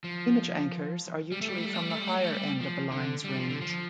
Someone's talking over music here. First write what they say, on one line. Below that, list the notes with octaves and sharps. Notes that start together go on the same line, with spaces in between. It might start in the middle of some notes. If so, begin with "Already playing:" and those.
Image anchors are usually from the higher end of the line's range.
F3
G3
A3
G3
A3
G3
A3
G3
A3
G3
A3
G3
A3
G3
F3
D3
G3
F3
D3
F3